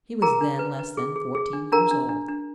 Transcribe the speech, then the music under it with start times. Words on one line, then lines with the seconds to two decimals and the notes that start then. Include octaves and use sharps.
He was then less than fourteen years old.
0.22 G#4 A#4 A#5
0.41 D4
0.59 B4
0.79 B4
0.97 G#4
1.16 G#4
1.35 G#4
1.53 D4
1.72 D4 A#4 A#5
1.91 D4
2.09 D4
2.28 D4